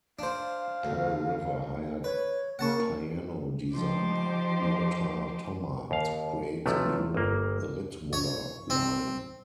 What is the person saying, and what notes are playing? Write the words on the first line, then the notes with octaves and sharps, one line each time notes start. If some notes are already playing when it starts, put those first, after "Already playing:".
Pearl River hired piano designer Lothar Thomma to create the new Ritmuller line.
D4 C5 F5
D2
B4 C#5
C#3 A#3 F#5 A5 C#6
F3 D#4 G4 C5 C6 D6
D#2 F5
B1 C3 F3 A3
G1 A#3
C#5
C4